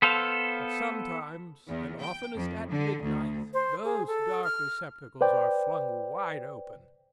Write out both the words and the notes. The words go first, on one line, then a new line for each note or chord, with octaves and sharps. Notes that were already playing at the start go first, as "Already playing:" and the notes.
But sometimes, and oftenest at midnight, those dark receptacles are flung wide open.
B3 A4 C5 F5
E2
G5
F2
D3
D2
C5
G#4
A4
F6
B4 C5 D5 G5